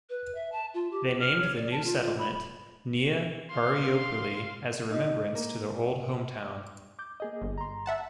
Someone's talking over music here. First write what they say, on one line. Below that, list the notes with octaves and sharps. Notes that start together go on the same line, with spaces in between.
They named the new settlement "Nea Argyroupolis" as a remembrance to their old hometown.
B4
E5
A5
F4
G4
F6
C#5
D5
A5
F4
F4
B5
F5 C6
D#4
A#3
D6 G6
A#3 G#4 D#5
G1
A#5 C6
E5 F#5 A5